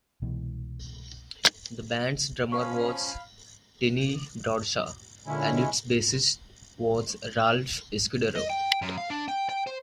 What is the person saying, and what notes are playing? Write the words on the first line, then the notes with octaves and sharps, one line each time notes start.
The band's drummer was Tiny Bradshaw and its bassist was Ralph Escudero.
C2 B2 E3 G#3
F3 C#4 F5 B5 C#6
A#2 D3 G#3 C#4 E4
D#5
G5
F#2
F5
D4
G5
G5
C5